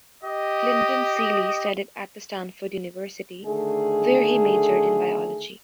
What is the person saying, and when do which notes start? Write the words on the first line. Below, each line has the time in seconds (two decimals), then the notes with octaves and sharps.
Clinton Seely studied at the Stanford University, where he majored in biology.
0.22 G4 D#5
3.45 D3 D#3 A3 G#4